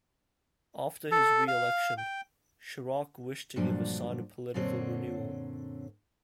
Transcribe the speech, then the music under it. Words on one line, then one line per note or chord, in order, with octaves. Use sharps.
After his re-election, Chirac wished to give a sign of political renewal.
A4
F5
G5
G2 A#2 D3 F3 F#3 D4
F#2 A#2 D3 C4 C#5